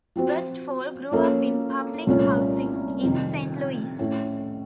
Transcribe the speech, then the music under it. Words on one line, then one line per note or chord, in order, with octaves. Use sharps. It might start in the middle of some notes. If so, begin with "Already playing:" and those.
Westfall grew up in public housing in Saint Louis.
F3 C4 F#4 C5
F3 A#3 C#4 A4
C2 A#2 A3 C#4 F4
F2 C3 D#3
A2 A3 C#4